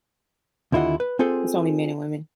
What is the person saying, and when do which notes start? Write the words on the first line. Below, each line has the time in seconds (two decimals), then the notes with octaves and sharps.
There's only men and women.
0.72 D#2 D3 E4 F4 D#5 F#5
1.00 B4
1.19 C4 F4 G#4 A4 C5